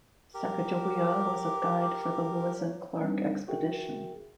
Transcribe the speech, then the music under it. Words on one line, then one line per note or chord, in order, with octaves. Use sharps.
Sacagawea was a guide for the Lewis and Clark Expedition.
G4 A#4
D6
C#5
G3 A#3 C4 D4 D#4
F#4 G#4 A#4 E5 G5